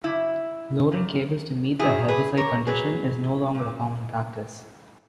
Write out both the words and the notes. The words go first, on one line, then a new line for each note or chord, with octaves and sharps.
Loading cables to meet the Heaviside condition is no longer a common practice.
F#2 C#3 E4
F#2 C#3
F#2 D#3 F#3 E4 G#4
G#4 B4
A#4 C#5
F#2 D#3 F#3 G#4 B4
A#2 F#3